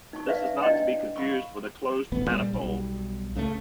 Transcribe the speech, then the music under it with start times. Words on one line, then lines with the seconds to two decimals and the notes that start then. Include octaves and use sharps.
This is not to be confused with a closed manifold.
0.13 D#4 A5 C#6
0.26 B4 D5 E5 F5
0.62 D4 E4 D5 D#5 G5
1.16 F5 B5 C#6
2.12 D#1 A1 B3
2.28 A#2 G3 G#3
2.53 B1 G3
3.35 C#2 C#3 E3 A3